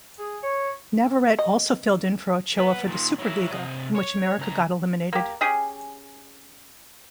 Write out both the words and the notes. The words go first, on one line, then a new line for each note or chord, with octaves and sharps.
Navarrete also filled in for Ochoa for the SuperLiga, in which America got eliminated.
G#4
C#5
D#5
B3
A#2 D#3
F#3 E4
C3 D#5
C#5
C#2 A#5
A#3 G4
C#4 G4 G#4